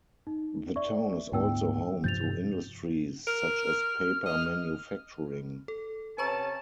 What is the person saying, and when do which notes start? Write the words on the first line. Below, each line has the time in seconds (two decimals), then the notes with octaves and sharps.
The town is also home to industries such as paper manufacturing.
0.27 D#4
0.76 D5 E5 C#6
1.32 D2 G#2 B3 E4 G5 E6
2.04 G2 C3 F3 G6 A6 F7
3.27 A#4 F6
4.26 D#5 F6
5.68 A4
6.18 C3 C#4 B4 A5 A#5 C#6